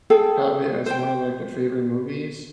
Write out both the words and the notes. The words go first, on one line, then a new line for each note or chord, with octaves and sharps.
have it as one of, like, their favorite movies,
G#4 A4 G5
C5 G5